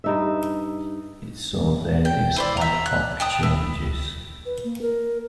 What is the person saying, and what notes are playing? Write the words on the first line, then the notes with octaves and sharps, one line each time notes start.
It saw various ad-hoc changes.
G2 D#4 E5
G5
E4 C5 D5
E5 A#5
F#6
G5 A5 D#6
E4
B4
A#3
A#4